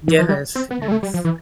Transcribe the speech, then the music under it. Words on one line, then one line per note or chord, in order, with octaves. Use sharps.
Yes, yes.
E3
F3
G3
C4
B3
A3
G3
A3
G3
F3
E3